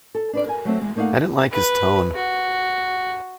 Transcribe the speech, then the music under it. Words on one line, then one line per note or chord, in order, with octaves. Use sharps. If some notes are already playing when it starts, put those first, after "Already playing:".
I didn't like his tone.
A4
D4 B4 D5
A#4 G#5
F#3 A3 C4
E2 G#3
A3 A#3 D#4 C5 F5 F#5
B4
F#4